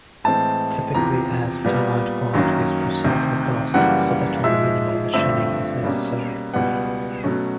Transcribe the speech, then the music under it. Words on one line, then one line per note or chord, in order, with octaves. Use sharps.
Typically, a Stellite part is precisely cast so that only minimal machining is necessary.
A2 E3 G#3 C4 A5
E2 C3 F3 A#5
A#2 G3 B3
F#2 D#3 F#3 A#3 C#4
D2 C3 D#3
F#2 C#3 E3 G3 A#3 F#5
G#2 F3 G#3 E5
G2 D3 F3 A3 C4 E5
B2 G3 A#3 C#4
C#2 B2 G3 B3 F#5
B2 F#3 A3 C#4